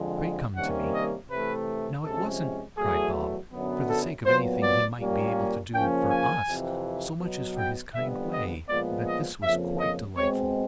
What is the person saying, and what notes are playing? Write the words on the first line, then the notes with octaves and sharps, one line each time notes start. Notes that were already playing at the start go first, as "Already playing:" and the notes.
Pray come to me.' Now, it wasn't," cried Bob, "for the sake of anything he might be able to do for us, so much as for his kind way, that this was quite delightful.
Already playing: F2 D3 F3 G#3
C3 D#3 G3 A#3 C#4 F#5
D#5
C3 E3 A3 B4
C3 F3 G#3 C#4 A4
E2 B2 F#3 A3 G#4
F#2 D3 F#3 B3
A4
A#2 F#3 B3 C5
D5
A#2 G3 A#3 C#4
C#3 F3 A#3 C#4 G5
G#5
F2 C3 E3
B2 F#3 B3
G5
F2 D3 G3 B3 E5
D#5
A#2 F3 G#3 B3 D5
D#5
F2 C#3 F3 A#3 E5
D#5
B2 G#3 C4 C#5